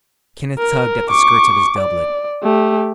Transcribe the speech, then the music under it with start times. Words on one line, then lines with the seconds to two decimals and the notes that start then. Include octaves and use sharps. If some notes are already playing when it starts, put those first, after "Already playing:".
Kenneth tugged at the skirts of his doublet.
0.58 A#4
1.10 C#6 D6
1.79 D5
2.43 A3 G4